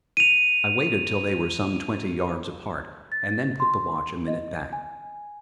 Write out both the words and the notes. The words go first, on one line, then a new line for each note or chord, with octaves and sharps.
I waited till they were some twenty yards apart, and then put the Watch a minute back.
D#7 F7
A6
C6
D#5
G#5